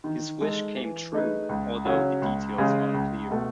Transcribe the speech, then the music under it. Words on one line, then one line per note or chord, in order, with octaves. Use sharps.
His wish came true, although the details are unclear.
D#3
G#3 D#4 A4
E3
A3 D#4 G#4 B4
C#2
C#3 F#3 C#4
C#2
C#3 G#3
C#2
B2 A3